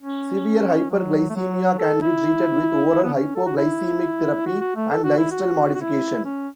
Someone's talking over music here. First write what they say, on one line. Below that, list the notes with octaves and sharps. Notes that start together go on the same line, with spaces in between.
Severe hyperglycemia can be treated with oral hypoglycemic therapy and lifestyle modification.
C#4
F#3
A3
F#3
A4
E4
B3
C#4
A4
F#4
E4
F#4
F#4
A3
A4
F#4
E4
F#4
F#4
E4
C#4